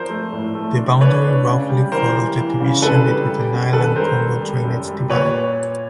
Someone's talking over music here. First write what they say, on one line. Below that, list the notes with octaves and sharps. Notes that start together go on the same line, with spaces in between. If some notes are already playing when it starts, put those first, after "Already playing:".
The boundary roughly follows the division between the Nile and Congo drainage divide.
Already playing: F3 D4 A#4 C5
A3
A2
A3
D4
D4 B4 C#5
D4
C#3
G3
E3 A#4 C5
G3
E3
C#3
C#3 A4 B4
G3
G3
F#2
D#3 A4 B4
G3 A#4 C5
G3
G3
F#2
G3
A#2 B4 C#5